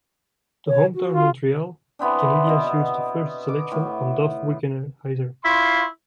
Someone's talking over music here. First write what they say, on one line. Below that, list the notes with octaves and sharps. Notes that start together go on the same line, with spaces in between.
The hometown Montreal Canadiens used the first selection on Doug Wickenheiser.
C#5
F#4
F4
E3 B3 C4 D4
B2 D#5
D6
A2
E4 F4 C#5 C6